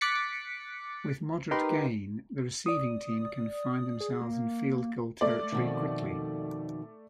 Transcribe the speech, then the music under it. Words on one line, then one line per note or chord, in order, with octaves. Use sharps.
With moderate gain, the receiving team can find themselves in field goal territory quickly.
D6 F#6 A6 B6 C#7
D#4 G4 A#4 B4 C6
D5 D#6
G#4
A#3
A3 D5
F2 B2 D#3